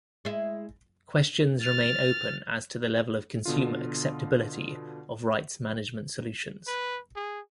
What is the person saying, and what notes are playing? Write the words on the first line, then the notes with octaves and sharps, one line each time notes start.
Questions remain open as to the level of consumer acceptability of rights management solutions.
G#3 E4
F6 A6
B2 D3 F4
B4
G#4